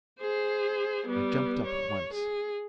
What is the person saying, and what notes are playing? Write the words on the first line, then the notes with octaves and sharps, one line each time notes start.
I jumped! up at once.
G#4 C5
G3 B3
C#5
G#4